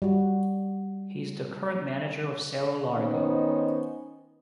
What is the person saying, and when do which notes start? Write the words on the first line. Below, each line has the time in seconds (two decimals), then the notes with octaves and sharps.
He is the current manager of Cerro Largo.
0.02 G3 F#4
2.96 D#3 B3 C#4 D#4 C5 C#5